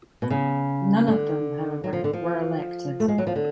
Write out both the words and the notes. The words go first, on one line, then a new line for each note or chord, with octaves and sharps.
None of them however were elected.
B2
C#3
D3
F#3
F3
D3
F3
A3
G#3
F#3
F3
D3